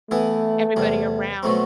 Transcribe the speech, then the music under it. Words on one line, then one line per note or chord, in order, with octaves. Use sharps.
everybody around,
E3 A3 B3 E4
E2 C3 G3
B2 F#3 A3 C4